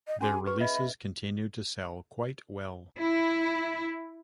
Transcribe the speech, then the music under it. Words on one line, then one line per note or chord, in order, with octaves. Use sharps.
Their releases continued to sell quite well.
D#5
C#4 F#4 G#4 G#5
B4 C#6
D#5 E5 B5
E5
E4